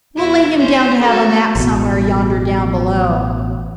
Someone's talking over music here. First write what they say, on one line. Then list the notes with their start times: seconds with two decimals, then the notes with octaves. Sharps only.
We'll lay him down to have a nap somewhere yonder down below.
0.17 E2 E4 F#4
0.59 C#4 C5
1.03 F#4 A4
1.56 A1 B2